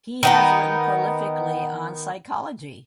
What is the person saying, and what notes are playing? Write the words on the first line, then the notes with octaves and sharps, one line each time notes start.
He has written prolifically on psychology.
D#3 B3 D#4